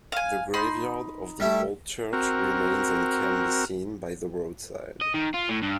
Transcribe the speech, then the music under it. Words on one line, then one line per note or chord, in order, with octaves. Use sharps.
The graveyard of the old church remains and can be seen by the roadside.
F5 G#5
D#4 B5 C6
G3 A3 E4
C4 F#4 A#4
D#5
D#3
F4
A2
G2